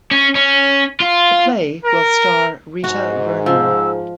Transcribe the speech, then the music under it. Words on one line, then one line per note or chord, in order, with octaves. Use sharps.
The play will star Rita Vernon.
C#4
C#4
F4
A#4
G#2 F#4
F3 E6